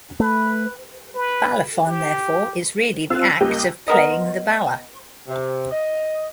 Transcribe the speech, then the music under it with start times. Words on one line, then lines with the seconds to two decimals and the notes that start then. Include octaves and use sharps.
Balafon therefore is really the act of "playing the bala".
0.20 A3 B4
1.15 B4
1.87 G4
3.10 C4 F4 F5 E6 F#6
3.41 C#2 G3 A#3 G4 D#5
3.88 B3 A#4 D#5
5.28 C3
5.71 D#5